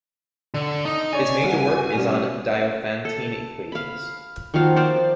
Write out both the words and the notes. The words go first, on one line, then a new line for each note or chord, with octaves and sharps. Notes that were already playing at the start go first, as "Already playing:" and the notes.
His major work is on Diophantine equations.
D3
D#4
D4 C#5 D5 G#5
G2 F#4
B2 G3 C#4
A4
F5 B5
D#3 F3 F#4 F5
A#4 C5 D5 F5